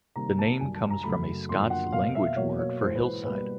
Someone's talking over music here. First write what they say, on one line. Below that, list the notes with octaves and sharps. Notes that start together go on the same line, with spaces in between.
The name comes from a Scots language word for hillside.
C3 D#3 G3 A#3 A#5
A5
F#2 D#3 G3 G#5
A5
A#5
F#2 C#3 F#3 A3 B5
F#2 D3 F3 A#3 C6
F#5
B2 F#3 A#3 F5
E5
B2 F#3 A#3 C#5
C#5
G#2 E3 G#3 C5
B4
B2 G3 A#3 B4